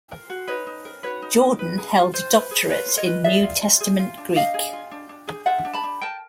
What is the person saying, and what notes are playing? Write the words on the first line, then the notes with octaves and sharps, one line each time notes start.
Jordan held a doctorate in New Testament Greek.
A#4
F#4
D#4 B4 C#5
D#4
A#4
F#4 B4 C#5
D#4
D#4
B4
G#4
F4
F4 C5
B4
G#4
F4 B4 C#5
F4
C#5 D#5
B4
G#4 D5 E5
F4
F4
G#4
F4
D4
D4 D#5 F5
G#4
F4
D4
D4
G#4
F4 E5 F#5
D4
A5 B5
D4
A#4 G5 A5